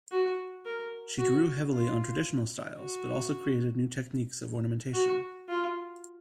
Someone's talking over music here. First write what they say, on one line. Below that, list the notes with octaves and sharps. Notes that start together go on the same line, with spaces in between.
She drew heavily on traditional styles, but also created new techniques of ornamentation.
F#4
A#4
F#4
F4
F#4
F#4
F4